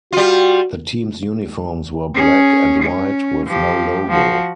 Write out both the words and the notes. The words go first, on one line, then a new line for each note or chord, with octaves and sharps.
The team's uniforms were black and white, with no logo.
G3 F4 F#4
C#4 G#4
C#4
F3 G4
F3 F#4